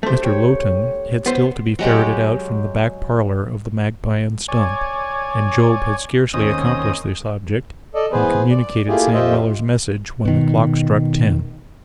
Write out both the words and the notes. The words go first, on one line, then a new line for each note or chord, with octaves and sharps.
Mr. Lowten had still to be ferreted out from the back parlour of the Magpie and Stump; and Job had scarcely accomplished this object, and communicated Sam Weller's message, when the clock struck ten.
A3 D4 G4 C5
G4 C#5 G5
B3 C5
F#3 G#3 G4
C#5 D5 G#5
D#2 C4 C#4 D#5 D#6
A4 D5 D#5
E3 B3 G#4 B4 C5
D5
A3 A#3 E4 F4 G4 G#4
F2 F4 G4 C5 D#5 E5
B2 D#3